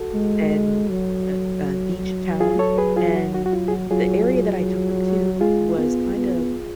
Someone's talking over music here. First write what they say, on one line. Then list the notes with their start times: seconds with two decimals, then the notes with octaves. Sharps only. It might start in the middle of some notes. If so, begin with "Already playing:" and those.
and a a beach town, and the area that I took them to was kind of
Already playing: F#4 A4
0.14 G#3
0.90 F#3
2.40 F4 G#4
2.59 A4 C#5
2.78 G#4 B4
2.96 F4 G#4
3.16 F#4
3.34 F#4
3.46 F#4
3.53 F4
3.68 G#4
3.72 F#4
3.91 F#3 F4 G#4
5.41 G#3 F4 G#4
5.78 B3
6.16 B3